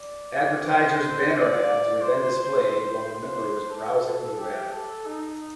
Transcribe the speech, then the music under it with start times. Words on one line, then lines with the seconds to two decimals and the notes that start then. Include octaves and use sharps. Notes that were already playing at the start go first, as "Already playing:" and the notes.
Advertisers' banner ads were then displayed while the member was browsing the web.
Already playing: D5
0.68 C5
1.35 D5
2.02 C5
3.04 C5
3.70 A4
4.38 G4
4.71 A4
5.06 D#4